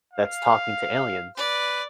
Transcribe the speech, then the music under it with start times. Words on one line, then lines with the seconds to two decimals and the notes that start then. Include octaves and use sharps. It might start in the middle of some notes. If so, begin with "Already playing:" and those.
that’s talking to aliens.
0.13 F5
1.37 B4 D5